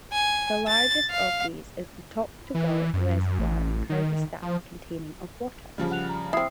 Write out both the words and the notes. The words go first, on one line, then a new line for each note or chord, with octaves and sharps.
The largest of these is the Toktogul Reservoir in Kyrgyzstan containing of water.
G#5
A6
F5
E3
F#2
A1
D#3
F3
C#3 F3 G3
F#5 F#6 F7
A#5
C4 E4 D#6 F6 C7